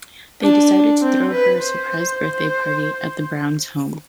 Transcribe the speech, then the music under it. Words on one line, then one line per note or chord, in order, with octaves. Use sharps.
They decide to throw her a surprise birthday party at the Browns' home.
D4
C4
B4
C5